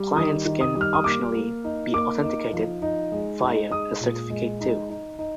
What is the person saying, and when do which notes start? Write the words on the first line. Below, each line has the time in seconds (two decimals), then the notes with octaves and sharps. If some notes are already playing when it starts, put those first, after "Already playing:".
Clients can optionally be authenticated via a certificate too.
Already playing: G3
0.16 D#3 D#6
0.45 D#3
0.61 D#6
0.75 G3
0.81 F6
0.93 D#6
1.04 A#3 D6
1.34 A#3
1.64 D#4
1.93 A#3 D6
2.23 D#4
2.53 F3
2.82 D#4
3.12 G#3
3.41 D#4
3.71 G#3 D#6
4.01 A#2
4.30 G#3
4.61 D#4
4.90 D#4
5.19 D#4